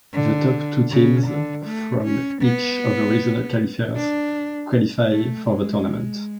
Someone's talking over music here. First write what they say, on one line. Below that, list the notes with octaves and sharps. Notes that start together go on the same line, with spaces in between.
The top two teams from each of the regional qualifiers qualify for the tournament.
D3
C#3
D3
A3
C#4
B3
D4
A3
G#3